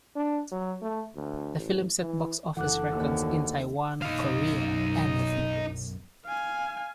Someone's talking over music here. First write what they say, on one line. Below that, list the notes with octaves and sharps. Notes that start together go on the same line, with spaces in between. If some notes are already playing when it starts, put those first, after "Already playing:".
The film set box-office records in Taiwan, Korea, and the Philippines.
D4
F#3
A3
D2
A1
E3
F#1 D2 E3 A4 F#5 D6 F#6
D#2
B1 F#2 D#4 F5
F5 G#5